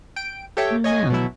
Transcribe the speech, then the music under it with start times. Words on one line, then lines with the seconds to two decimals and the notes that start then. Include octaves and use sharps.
I don't know.
0.16 G5 D7
0.57 G4 A4 C#5 E5 G5
0.84 C#5 D#5 G#5
1.10 B2 F#3 E4